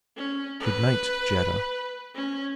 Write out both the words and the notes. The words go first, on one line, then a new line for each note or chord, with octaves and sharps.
"Good night--Jetta."
C#4
B4
C#4